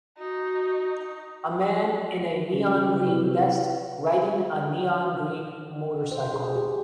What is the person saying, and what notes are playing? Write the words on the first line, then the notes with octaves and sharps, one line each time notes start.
A man in a neongreen vest riding a neongreen motorcycle.
D#4 F#4
C#3
C3 E4 B4
C5
G#4
G4